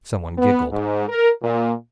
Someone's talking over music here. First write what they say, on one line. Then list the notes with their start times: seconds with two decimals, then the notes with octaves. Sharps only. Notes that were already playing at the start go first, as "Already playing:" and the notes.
Some one giggled.
0.37 B3
0.71 G#2
1.08 A#4
1.43 A#2